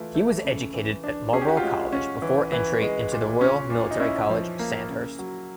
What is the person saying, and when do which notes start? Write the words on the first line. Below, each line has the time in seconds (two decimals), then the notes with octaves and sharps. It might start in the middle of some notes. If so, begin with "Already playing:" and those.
He was educated at Marlborough College, before entry into the Royal Military College, Sandhurst.
Already playing: E3 A3 F4
0.15 A3
0.44 C#3
0.74 E3
1.04 D4
1.33 C#4 G#4
1.42 G4
1.48 F#4
1.57 F4 G4
1.64 G#3
1.93 C#4
2.22 E3
2.52 E3
2.82 G#3
3.12 A#2
3.41 C#4
3.70 A#2
3.91 D#4
4.00 C#4 E4
4.30 F3
4.59 A#3
4.89 C#3
5.19 F#3